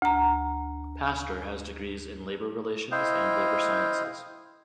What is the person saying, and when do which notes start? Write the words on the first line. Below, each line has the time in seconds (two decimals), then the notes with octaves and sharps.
Pastor has degrees in Labour Relations and Labour Sciences.
0.02 D2 A#5
2.92 E4 C5 D#5 F5 G5